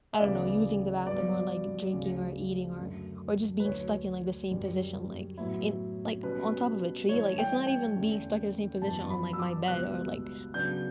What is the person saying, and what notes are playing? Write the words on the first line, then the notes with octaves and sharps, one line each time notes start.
I don't know, using the bathroom or, like, drinking or eating or or just being stuck in, like, the same position, like, in like, on top of a tree, like, it's not even being stuck in the same position on, like, my bed or, like,
E5
D2 C#3 E3 B3 D5
G2 F#3 B3 D5
D2 C#3 F#3 C#4
F#2 D3 A3
B4
D2 D3 F#3 C#5
F#2 D3 G3
A2 F#3 B3 E4
B2 G3 C#4 B4
G2 E3 A3 E4 C#5
G5
G5
E2 D3 A3 C#4
F#2 E3 B3 A5
B5
E6
D6
C#2 B2 G3 B3 E4 F#6
C#3 F#3 B3 D4 G6